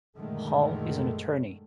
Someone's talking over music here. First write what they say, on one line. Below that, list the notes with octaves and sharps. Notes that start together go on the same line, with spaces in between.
Hall is an attorney.
F#2 A#2 D3 D#3 G#3 A3